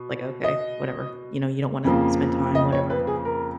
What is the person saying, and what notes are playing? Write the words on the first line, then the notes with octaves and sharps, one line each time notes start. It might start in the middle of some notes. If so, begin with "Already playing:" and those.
like, "Okay, whatever. You know, you don't wanna spend time? Whatever."
Already playing: B2
D#5
F2 C#3 F3 A#3
D#5
C#5
B4
G#4
A#4